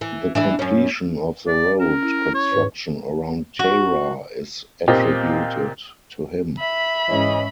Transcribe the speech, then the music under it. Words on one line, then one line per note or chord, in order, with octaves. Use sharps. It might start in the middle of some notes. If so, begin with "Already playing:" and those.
The completion of the road construction around Tara is attributed to him.
E3
E3 D4 E4
F#2 C#4
D5
C#4 A#4
E4
C#5
G#2 B4
F#4
A#2 C4 G4 D#5
E5 B5
G#2 E3 G#3 C#4 D#5